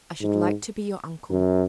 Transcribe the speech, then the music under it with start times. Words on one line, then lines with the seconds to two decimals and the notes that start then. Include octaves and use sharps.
I should like to be your uncle.'
0.21 G#2
1.30 F#2